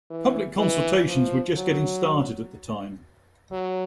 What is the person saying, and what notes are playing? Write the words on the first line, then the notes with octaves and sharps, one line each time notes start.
Public consultations were just getting started at the time.
E3
E3
F3
F#3
F#3